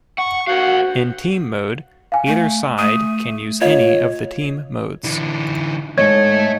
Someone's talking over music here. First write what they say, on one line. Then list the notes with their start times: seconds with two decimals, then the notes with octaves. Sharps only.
In Team mode, either side can use any of the team modes.
0.18 F#5 C#6
0.47 F#4 A#4 C5 F5 F#5
2.12 F5 G#5
2.27 A3
2.78 A3 D#6 D#7
3.61 F4 C#5 D#5 F5
5.04 D3 E3
5.98 E2 G#2 A3 A4 C#5 D#5 G#6